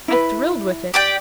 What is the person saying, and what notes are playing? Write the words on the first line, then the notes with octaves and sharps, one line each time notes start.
I thrilled with it.
E4 B4
G4 D5 G5